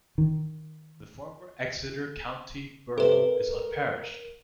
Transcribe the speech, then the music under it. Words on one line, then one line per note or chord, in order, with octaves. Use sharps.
The former Exeter County Borough is unparished.
D#3
C3 A4 B4
A#4